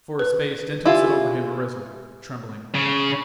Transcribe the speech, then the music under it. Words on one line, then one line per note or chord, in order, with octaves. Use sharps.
For a space Denton stood over him irresolute, trembling.
B4
E4 F4 G4 G#5
C#3